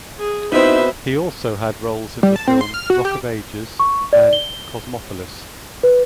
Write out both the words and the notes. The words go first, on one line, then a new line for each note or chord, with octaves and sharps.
He also had roles in the film "Rock of Ages" and "Cosmopolis".
G#4
B2 C4 D#4 E4 B4 C5 E5
G3
A5
C4
C6
F6
F#4
G4
C#6
D5
G7
B4